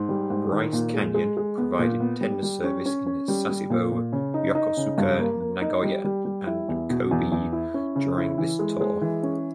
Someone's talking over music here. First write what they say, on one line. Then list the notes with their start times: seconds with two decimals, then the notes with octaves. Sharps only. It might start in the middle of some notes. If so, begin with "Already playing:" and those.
"Bryce Canyon" provided tender service in Sasebo, Yokosuka, Nagoya, and Kobe during this tour.
Already playing: G#2
0.09 G3
0.30 G#2
0.51 D#3
0.73 A#2
0.94 G#3
1.14 G#3
1.37 G#3
1.58 B3
1.79 A#2
2.00 B3
2.21 G3
2.43 G3
2.64 C#4
2.86 C#4
3.06 C#4
3.28 G3
3.49 G3
3.70 A#2
3.92 A#2
4.13 C#3
4.34 D#4
4.55 D#4
4.77 C#3
4.98 G2
5.19 A#3
5.41 A#3
5.61 D#4
5.83 G3
6.04 G3
6.25 G3
6.47 E4
6.68 E2
6.90 B2
7.11 E2
7.32 E2
7.52 E4
7.74 C#4
7.96 C#3
8.17 E4
8.38 E3
8.59 G#3
8.81 G#3
9.02 E3
9.23 C#4